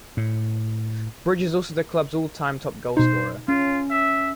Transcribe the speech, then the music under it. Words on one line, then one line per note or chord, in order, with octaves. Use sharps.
Bridge is also the club's all-time top goalscorer.
A2
B2 D#4 C5
C#4 F4
E5